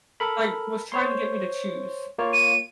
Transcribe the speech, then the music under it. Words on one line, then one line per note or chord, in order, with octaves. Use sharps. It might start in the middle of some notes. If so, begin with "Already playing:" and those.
like was trying to get me to choose.
A4 A#4 B5
C5 C#5 C6
A#3 F4 C#5
D#7